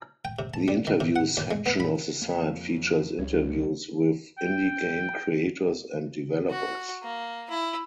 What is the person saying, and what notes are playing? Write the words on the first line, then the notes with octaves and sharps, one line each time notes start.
The interviews section of the site features interviews with indie game creators and developers.
G5
C3
A5
G3
D#3
C3
F#5
D#2
G#3
B3
B5
F2 A#3 C#5 F5
C#2 G3 C#5
G5
F#4
A#3
E4